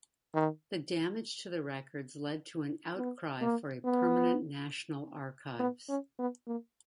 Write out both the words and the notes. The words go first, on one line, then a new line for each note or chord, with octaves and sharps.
The damage to the records led to an outcry for a permanent National Archives.
D#3
B3
A#3
B3
B3
C#4
B3
A#3